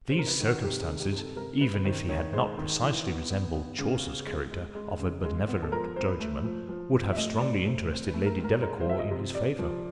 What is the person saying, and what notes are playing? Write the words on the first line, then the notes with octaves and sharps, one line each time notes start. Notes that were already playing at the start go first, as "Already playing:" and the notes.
These circumstances, even if he had not precisely resembled Chaucer's character of a benevolent clergyman, would have strongly interested Lady Delacour in his favour.
C5
C3 A#4
B4
D#3
F#4
C3 G4
G#4
D#3
G4
C3
A4
C3 A#4
C3 B4
B4
D#3 C5
D#3 C#5
G#3 C5
D#3
E3
B3
B3
B3
C#3
B3
G#3
G#3
G#3
C#3
G#3
B3
A4
F3 A#4
C4 C5
B4
A3
F3
F3
F3
E5
A3 D#5
C4 D5
A3 C5
C4
B4
A3
A#4
G#2
A#4
G#3 A#4
C5
F3 E5
D#5
C3
C3 D5
F3